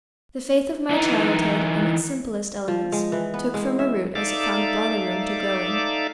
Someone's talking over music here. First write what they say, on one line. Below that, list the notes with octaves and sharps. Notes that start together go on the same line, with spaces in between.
The faith of my childhood, in its simplest elements, took firmer root as it found broader room to grow in.
E3 D#4
F3
G#3
E3
B3
G#3
E5
D#4 A4 D5 E5 F5 D6